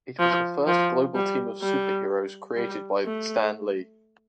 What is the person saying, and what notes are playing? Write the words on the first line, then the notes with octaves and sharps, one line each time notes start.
It was the first global team of Super Heroes created by Stan Lee.
F3
F3
G3
G3
G3
A3